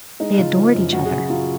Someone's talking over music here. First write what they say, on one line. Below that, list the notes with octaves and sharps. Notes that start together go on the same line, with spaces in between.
They adored each other.
G#3 D#4
C#3 F4
F3
F#2
F#2 F#4
G#4
C#3
F#4
F#3 F4